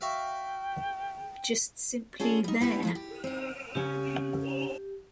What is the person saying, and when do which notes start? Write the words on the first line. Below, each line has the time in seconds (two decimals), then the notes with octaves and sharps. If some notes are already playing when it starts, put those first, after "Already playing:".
Just simply 'there.'.
0.01 F#4 E5 F5 G5
2.20 C#4 F4 G#4 A4 D5
2.44 G3 D#4
2.60 B3 E4 G4 B4
2.83 F2 F3 G#3
2.95 G4
3.24 C4 D#4
3.75 C#3 C#4 G4